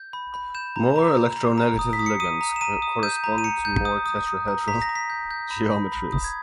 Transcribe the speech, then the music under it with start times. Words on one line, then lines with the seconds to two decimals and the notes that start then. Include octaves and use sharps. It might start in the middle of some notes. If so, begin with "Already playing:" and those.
More electronegative ligands correspond to more tetrahedral geometries.
Already playing: G6
0.13 B5
0.34 B5
0.55 G6 E7
0.76 A#5
0.96 A#5
1.17 A#5
1.37 A#5
1.58 A#5
1.79 D#6
1.93 B6
1.99 D#6
2.06 C#7
2.20 D#6 D#7
2.41 A#5
2.56 E7
2.61 A#5 D#7
2.82 D#6
3.03 G6 D#7
3.24 A#5
3.38 D#7
3.44 A#5 C#7
3.65 G6
3.85 D#6
4.06 D#6
4.27 D#6
4.48 A#5
4.68 A#5 B6
4.82 A#6
4.89 A#5
4.96 B6
5.10 G6
5.31 G6
5.50 B5
5.72 B5
5.92 B5
6.13 D#6
6.24 G#6